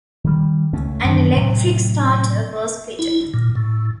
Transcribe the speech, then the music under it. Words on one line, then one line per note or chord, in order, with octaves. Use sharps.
An electric starter was fitted.
D#3 G3
C#2 A3 C#4
F#2 D#3 D4
A2 C3 F#3
E4
A#2
A2